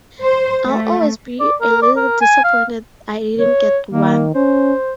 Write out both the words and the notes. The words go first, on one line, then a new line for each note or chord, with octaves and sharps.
I'll always be a little disappointed I didn't get one.
C5
A3
D5
A#4
D5
A#4
G#5
F5
C#5
D#3 A#3
C#4 C5